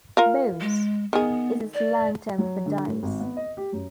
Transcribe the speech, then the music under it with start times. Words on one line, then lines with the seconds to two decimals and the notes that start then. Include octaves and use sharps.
"Bones" is a slang term for dice.
0.17 F4 A#4 F5
0.61 G#3
1.13 D#3 B3 G#4
1.74 D5
2.38 F#3
2.66 D3
2.86 A2
3.03 G#1
3.20 B3
3.37 D#5
3.57 G4
3.72 F#2